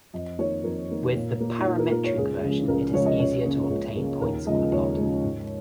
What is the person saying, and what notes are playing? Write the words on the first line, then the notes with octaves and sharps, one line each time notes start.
With the parametric version it is easier to obtain points on a plot.
F2 D#5
D#3 A#3 C#5
F2 A#4
D#3 A#3
A#2
A#3
D#4
A#2 F4
A#4
A#3 A#4
C#5
C#2 G#4
C#3 F3 G#3
C#2 A#4
C#3 F3 G#3 C#5
D#5
C#2 C#5
C#3 A#3
C#2
C#3 A#3
D#2 A#4
C#3 F3 G#3 D#5
D#2 C#5
C#3 F3 G#3
G#2